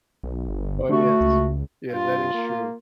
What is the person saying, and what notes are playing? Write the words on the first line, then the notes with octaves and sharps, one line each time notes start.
Oh, yes. Yes. That is true.
B1
G1
D3 A3 F#4
C#2
G2 F4
A#3